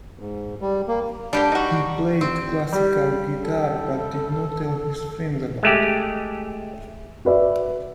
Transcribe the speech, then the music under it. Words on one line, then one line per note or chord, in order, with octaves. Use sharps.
He played classical guitar but did not tell his friends about it.
G#2
G3
A#3
D3 G3 D4 G4
D#4 F#4
C4
G3
A4
G#3 A3 G4
F#4 B4 D5 E5